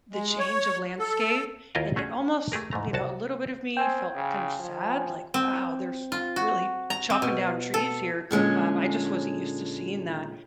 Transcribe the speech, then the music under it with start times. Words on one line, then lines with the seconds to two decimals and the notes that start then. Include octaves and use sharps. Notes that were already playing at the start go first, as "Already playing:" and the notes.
the change of landscape, and it almost you know, a little bit of me felt kind of sad, like, "Wow, they're s really chopping down trees here," um, I just wasn't used to seeing that.
0.13 G#3
0.39 C#5
0.99 A4
1.75 D#2 E4 F4 A#4 D#5 F5
1.96 A3 C#4 F#4 G#4
2.52 A3 G4 G#4 A#4
2.71 G#2 E3 A3 A#5
2.93 C2 F#4 A5
3.77 C4 G5 G#5
4.15 C#3
4.60 F3
5.34 C4
6.12 F4
6.36 F#4
6.90 A#5
7.10 C4
7.22 B2
7.74 A4
8.31 A#2 D3 G#3 C#4